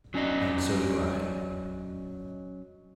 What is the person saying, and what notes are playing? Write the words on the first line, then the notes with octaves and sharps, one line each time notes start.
And so do I.
F#3 C#4 D5 D#5